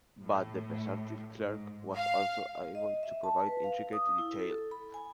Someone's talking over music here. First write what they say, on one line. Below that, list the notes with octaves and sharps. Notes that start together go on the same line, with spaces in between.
But the versatile Clarke was also able to provide intricate detail.
A2
G#2
F5
D#5
E5
A5
B4
F5
D#6
E4
A4
B5
G#5